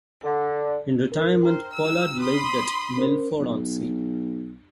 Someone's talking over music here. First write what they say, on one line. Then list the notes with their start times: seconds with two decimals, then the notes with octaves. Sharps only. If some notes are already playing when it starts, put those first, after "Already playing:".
In retirement Pollard lived at Milford-on-Sea.
0.24 D3
1.12 A#4
1.43 C5 G5 A#5 F6
1.73 E6
2.20 B5 C6 D#6
2.97 C#4 A#4 C5
3.40 B1